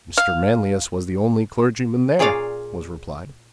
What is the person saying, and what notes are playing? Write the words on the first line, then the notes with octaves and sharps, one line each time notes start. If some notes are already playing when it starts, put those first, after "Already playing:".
"Mr. Manlius was the only clergyman there," was replied.
F5
A#2 G#4 C#5 D5 F5